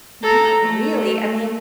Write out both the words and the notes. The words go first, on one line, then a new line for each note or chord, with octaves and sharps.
Not really, I mean
A4 A#5
A3